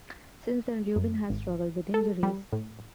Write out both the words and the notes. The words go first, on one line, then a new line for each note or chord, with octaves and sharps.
Since then Rubin has struggled with injuries.
F#2
G#1
A4
G3
A2